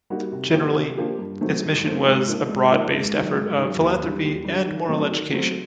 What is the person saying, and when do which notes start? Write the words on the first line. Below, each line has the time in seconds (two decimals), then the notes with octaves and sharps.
Generally, its mission was a broad based effort of philanthropy and moral education.
0.10 G3 A#3 D#4 F#4
0.32 C3
0.54 F3 A#3 D4 G4
0.75 C3
0.97 F3 A#3 D4 G4
1.19 G2
1.41 D#3 F#3 A3 C4
1.62 G2
1.84 D#3 F#3 A3 C4
2.06 G#2
2.27 F3 A#3 D#4
2.49 G#2
2.71 F3 A#3 D#4
2.93 G#2
3.15 D#3 F#3
3.36 G#2
3.58 D#3 F#3
3.80 D#2
4.02 D3 G3
4.23 D#2
4.45 D3 G3
4.67 D#3
4.88 F#3 A3 C4
5.10 D#3
5.32 F#3 A3 C4